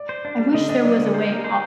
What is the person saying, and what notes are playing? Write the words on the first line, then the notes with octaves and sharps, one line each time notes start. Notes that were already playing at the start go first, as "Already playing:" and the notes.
I wish there was a way al
Already playing: D5
C5
D4 D5
G3
D3 D#5
D4 D#5
F#3 D5
D3 A#4
C5
A#3
C5